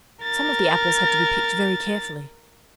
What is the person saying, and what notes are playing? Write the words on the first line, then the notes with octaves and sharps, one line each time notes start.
Some of the apples had to be picked very carefully.
A#4 A6